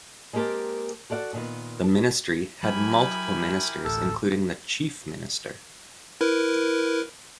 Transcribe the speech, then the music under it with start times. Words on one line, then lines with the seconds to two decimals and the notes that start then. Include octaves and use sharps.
The ministry had multiple ministers including the Chief Minister.
0.33 G#3 A#3 C4 G4 A#4 A5
1.10 F#4 A4 D5 F5 F#5
1.33 A#2 D#3 B3
1.83 A5
2.63 F#3 E4 G4 A#4 G#5 B5
3.84 D1 A1 A4
6.21 E4 A#4 B4